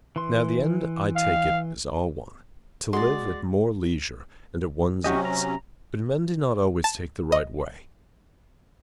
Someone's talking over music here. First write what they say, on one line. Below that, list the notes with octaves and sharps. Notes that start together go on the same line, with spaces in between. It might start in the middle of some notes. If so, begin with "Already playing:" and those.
Now the end, I take it, is all one, to live at more leisure and at one's ease: but men do not always take the right way.
E3 C6
F5
G#3 F#4 D5 C6
C3 F#3 C#4 F#4 G4 D#5
A#5
A5
D#5